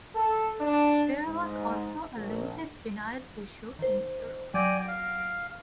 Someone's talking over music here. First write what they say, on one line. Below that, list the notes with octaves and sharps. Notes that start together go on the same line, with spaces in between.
There was also a limited vinyl issue in Europe.
A4
D4
G#2
A#1
D#3 C5
F#3 D5 G5 G#5 A#6 D7
F5